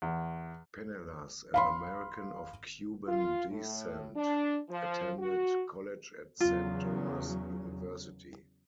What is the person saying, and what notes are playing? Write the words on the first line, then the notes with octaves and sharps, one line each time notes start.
Penelas, an American of Cuban descent, attended college at Saint Thomas University.
E2
F5 B5 C6
F4
A2
D4
F3
F#4
E2 C#3 F#3 F4